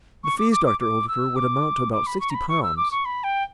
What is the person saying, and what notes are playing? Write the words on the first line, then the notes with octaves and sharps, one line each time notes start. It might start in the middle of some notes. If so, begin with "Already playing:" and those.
"The fees, Dr. Oldacre, would amount to about sixty pounds."
C#6
D6
D6
D6
D6
E6
D6
D6
B5
C#6
A#5
B5
C#6
E6
D6
C#6
B5
G5